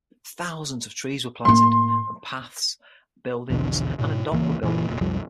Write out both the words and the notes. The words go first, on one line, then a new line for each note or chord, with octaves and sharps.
Thousands of trees were planted, and paths, buildings, and a dock were built.
A2 A#3 C6
A#1 E2 B2 D3
G#2 B2
D1 C#2 E3 A#3
F#1 A#2 D#3 E3
F1 A#2
B1 F2 F3 G3